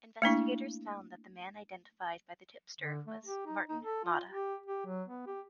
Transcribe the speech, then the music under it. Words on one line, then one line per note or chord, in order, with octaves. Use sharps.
Investigators found that the man identified by the tipster was Martin Motta.
A3 A#3 D4 E4
D3
A3
G4
D#4
D#4
A4
F4
G4
G4
F#3
B3
G4